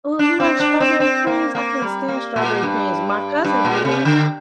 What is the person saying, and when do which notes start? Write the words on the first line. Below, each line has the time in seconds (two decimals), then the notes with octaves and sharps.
Oh, you like strawberry creams? I couldn't stand strawberry creams. My cousin did.
0.19 D4
0.40 C4
0.60 D4
0.80 C4
1.00 C4
1.27 A#3
1.55 A#3
1.82 G3
2.08 A#3
2.36 A#2
2.62 G2
3.44 G2
3.65 A#2
3.85 C3
4.05 D3